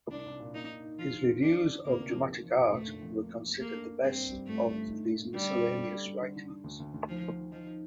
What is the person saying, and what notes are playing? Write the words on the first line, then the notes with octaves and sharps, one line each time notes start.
His reviews of dramatic art were considered the best of these miscellaneous writings.
C2 D4
C2
A#2
A#3 D#4
D#4
D#4
F3 F4
D3
D#2
F3 D4
D3
D3
D2 A#3
C3
F3
D#4
F3
A#2
F1 A3
D3
F2
A#3
A#3
F2
A#3 A4
D4
D4
G2 C4
G2
G3
G1 A3
G2
D3
D#4
A#2
D#4
D3 G3
C4
A3
D3
G3
G3
D3
D3
D3
D2
D2
D2
D#3 F3
D#3
D#3
F3 D#4
D#4